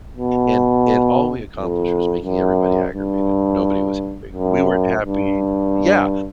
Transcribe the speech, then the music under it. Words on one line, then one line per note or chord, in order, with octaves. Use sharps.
and and all we accomplished was making everybody aggravated. Nobody was happy. We weren't happy Yeah.
B2
F2
F#2
G2
F#2
G2